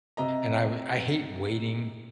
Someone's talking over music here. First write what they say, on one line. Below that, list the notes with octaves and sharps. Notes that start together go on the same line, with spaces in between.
and I uh, I hate waiting
C3 D#5 A#5